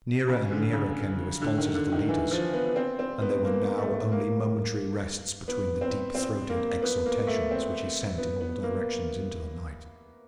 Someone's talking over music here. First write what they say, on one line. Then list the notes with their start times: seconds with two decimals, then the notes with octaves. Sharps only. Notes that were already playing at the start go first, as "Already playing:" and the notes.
Nearer and nearer came the responses of the leaders, and there were now only momentary rests between the deep-throated exhortations which he sent in all directions into the night.
0.28 C#3
0.51 D3
0.73 C#3
1.41 D3
1.58 D#3
1.75 D3
1.92 D#3
2.09 E3
2.31 F3
2.54 B3
2.76 C4
2.99 C4
3.22 B3
3.45 A#3
3.78 A3
4.12 A#3
5.48 B3
5.81 C4
6.15 C4
6.49 A#3
6.82 B3
7.06 A#3
7.27 A3
7.51 C4
8.18 B3
8.40 B3
8.63 A#3